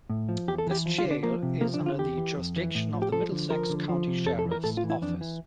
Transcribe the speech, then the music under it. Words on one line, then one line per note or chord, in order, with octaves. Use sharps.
This jail is under the jurisdiction of the Middlesex County Sheriff's Office.
A2
F3
E2 G4
A4
E3 G4
F3
F4
D3
D4
F3 A#3
C3
F3 A#3
D4
D3
F4
E2 G4
E3
F2
E3
A2
F3
G4
F3 A4
D3
F3 A#4
D3
F3
C3
F2 A4
A4
E3
A#4
A2 A4
F4
E3
E4
F2 D4
E3